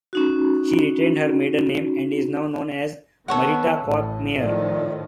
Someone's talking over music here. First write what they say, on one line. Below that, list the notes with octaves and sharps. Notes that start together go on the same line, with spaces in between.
She retained her maiden name, and is now known as Marita Koch-Meier.
C#4 D#4 F#4
D#3 B3 A4 C#5 F#5
A1 A2
A2 D#3 F3 D5